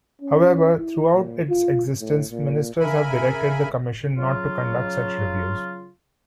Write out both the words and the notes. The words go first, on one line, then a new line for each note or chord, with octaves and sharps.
However, throughout its existence, Ministers have directed the Commission not to conduct such reviews.
C#4
E4
A#2
F4
A2
A#2
C#3 A#4 E5 G#5 B5
C#3 F#3 F4